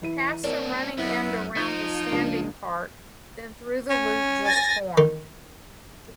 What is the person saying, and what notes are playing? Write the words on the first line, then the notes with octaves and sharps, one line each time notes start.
Pass the running end around the standing part, then through the loop just formed.
E3 E4 D#7
C4 D4 A#4 C#5 D5
F#2 B3 E4
F3 D#4 G6 G#6
C#2 A#3 D4
C#4
G#5 A6 A#6
D#3